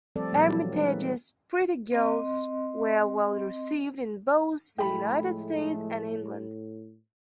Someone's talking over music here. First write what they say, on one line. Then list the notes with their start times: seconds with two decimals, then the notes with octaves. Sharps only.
Armitage's pretty girls were well received in both the United States and England.
0.16 F3 G3 A3 C4 A4 D5
0.32 A#2 F3 G3 A#3
0.46 E3 F#3
0.72 D#3 G#3 D#4 B4
1.92 C4 D#5 C6
4.78 A2 F3 G#3 A3 G5 B5